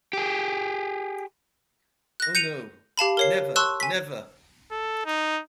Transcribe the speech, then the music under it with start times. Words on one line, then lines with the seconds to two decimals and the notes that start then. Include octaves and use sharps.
Oh no - never, never!
0.13 G4 G#4
2.20 F#6 A#6
2.35 G6 C#7 D#7 F7
2.98 G4 F5 A5 B5
3.17 A#4 C#5 C7
3.56 A5 C6 C#6 E6 F#6
3.80 G#5 B6
4.71 A4
5.06 D#4